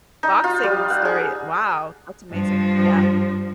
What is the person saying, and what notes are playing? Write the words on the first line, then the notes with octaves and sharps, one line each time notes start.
boxing story. Wow, that's amazing, yeah.
D#4
F4
G3
F#5
G#4
G2 F3